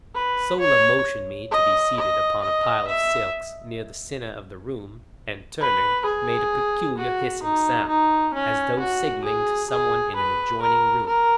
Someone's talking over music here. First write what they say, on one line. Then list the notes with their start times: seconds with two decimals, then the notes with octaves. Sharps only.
Sola motioned me to be seated upon a pile of silks near the center of the room, and, turning, made a peculiar hissing sound, as though signaling to someone in an adjoining room.
0.15 B4
0.60 C#5
1.51 D#5
1.97 D#5
2.42 D#5
2.88 E5
5.61 B4
6.06 G#4
6.97 F#4
7.43 D#4
7.88 D#4
8.34 C#4
8.79 F#4
9.25 G#4
9.70 G#4
10.16 B4
10.62 A#4
11.07 A#4